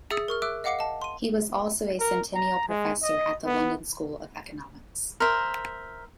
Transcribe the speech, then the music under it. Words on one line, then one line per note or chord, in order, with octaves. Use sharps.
He was also a Centennial Professor at the London School of Economics.
G#4 E5 D#6 E6 A6 C#7
A#4 C#6 F6
E5 D6 E6 F#6 D7
D#5 F5 F#5 D6 C7 C#7
D#5 A5
C6 D#7
A#4
A#5
G#3
D#5
B3
A#4 C5 E5